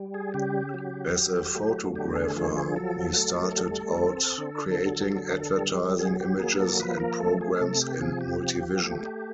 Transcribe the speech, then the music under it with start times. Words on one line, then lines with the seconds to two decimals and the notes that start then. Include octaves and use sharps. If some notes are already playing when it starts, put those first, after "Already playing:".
As a photographer, he started out creating advertising images and programs in multivision.
Already playing: G3
0.14 G#4
0.34 C#3 G4
0.74 F#3
1.16 F#3
1.56 A3
1.95 D3 G4
2.16 G#4
2.36 F3 G#4
2.56 G#4
2.76 F#3 A4
3.17 A3
3.57 G3
3.98 C4
4.38 D3
4.78 F#3
5.19 D3
5.59 G3
5.99 F#3 G#4
6.20 G4
6.39 A#3 G#4
6.60 A4
6.79 F3 B4
7.00 A#4
7.20 A3 A4
7.41 G#4
7.61 C3 A4
7.81 G4
8.01 F3 G#4
8.21 G4
8.42 F3
8.82 A3